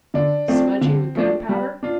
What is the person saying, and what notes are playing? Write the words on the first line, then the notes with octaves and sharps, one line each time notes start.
Smudgy with gunpowder?
D3 D4
F3 A3 C4 D4
D3
F3 A3 D4
G3
D4 F4